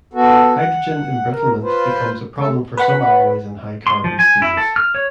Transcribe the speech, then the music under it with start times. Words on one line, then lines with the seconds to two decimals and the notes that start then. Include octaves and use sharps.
Hydrogen embrittlement becomes a problem for some alloys and high-carbon steels.
0.14 B3 F#4 A4
0.54 F#5
1.30 A#4
1.63 F4 B4 C5
2.38 A3 A4
2.77 B4 F#5 B5
3.87 C6
4.04 F3
4.19 G#5
4.42 E4
4.57 A4
4.76 F6
4.95 C#5